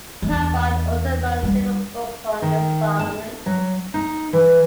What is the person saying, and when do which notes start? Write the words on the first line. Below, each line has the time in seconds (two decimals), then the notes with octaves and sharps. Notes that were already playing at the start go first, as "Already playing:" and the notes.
Talbott also wrote several books on disarmament.
0.22 E2
1.43 G3
2.42 D#3
2.99 A5
3.46 F#3
3.94 D#4
4.33 E3